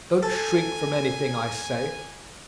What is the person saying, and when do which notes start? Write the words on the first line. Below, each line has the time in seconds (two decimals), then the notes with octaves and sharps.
Don't shrink from anything I say.
0.23 A4 G#5